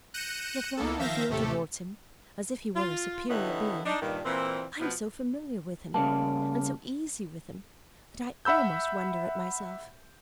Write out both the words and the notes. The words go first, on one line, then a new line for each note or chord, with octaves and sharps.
Yet while I feel towards him as if he were a superior being, I am so familiar with him and so easy with him that I almost wonder at myself.
F#6 G6 A#6 C#7 D#7 E7
C#2 A#3 B3 A4
D#3 F3 E5 F5 G6 A#6
D#2 A2 C3 A3 G4 A4
F4
G2 D3 B3 C#4 D#4 E4
D4 D#4
G2 A#2 D#3
A#2 E3 C4
B2 F3 B3
C#3 G3 A#3 A5
E5 F#5 B5 E6 G6